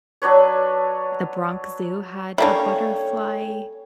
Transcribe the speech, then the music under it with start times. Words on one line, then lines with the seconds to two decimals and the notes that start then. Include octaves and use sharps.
The Bronx Zoo had a butterfly
0.22 F#3 D4 B4 C#5
2.38 G3 A#3 C#4 D4 E4 A4 C#5 G5